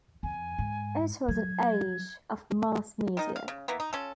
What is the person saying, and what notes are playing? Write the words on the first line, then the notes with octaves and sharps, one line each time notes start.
It was an age of Mass media.
F2 G#5
G#2
F#3 G#6
D#3 D#4
F5
C#3
E3 A#3 B3
D#4
C#4 F4 A4